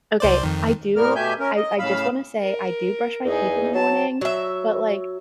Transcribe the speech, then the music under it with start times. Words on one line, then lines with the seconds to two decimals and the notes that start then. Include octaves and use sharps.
okay, I do I I just wanna say I do brush my teeth in the morning, but, like,
0.20 C2 C5 D5
0.43 F2 D#3
0.96 A2 G3 A#3 B3 A#4 F6
1.15 B2 A3 G4 E5 G#5 G6
1.39 C#4 A#4
1.57 D#5
1.79 A2 C#3 F5 B5 E6
2.39 A#4
3.25 E2 D#4 G#4
3.74 F#3 A5
4.21 F#3 E5